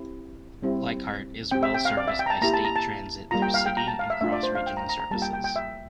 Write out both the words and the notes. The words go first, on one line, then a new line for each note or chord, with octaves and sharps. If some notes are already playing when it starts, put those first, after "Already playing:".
Leichhardt is well serviced by State Transit through city and cross regional services.
Already playing: C4 E4 G4
G3 C4 E4 G4
C4 G4 G5
E5
G5
F5
D5
E5
G5
A#5
A5
A#3 E4 G4 A#5
A5
A#5
A5
G3 A#3 F4 A#5
G5
F5
G5
A#5
A5
F5
E5
A3 D4 F4 E5
D5
C5
F5
G5
A#5
A#5
A#5
G3 A#3 F4 A5
G5
G5
G5
E5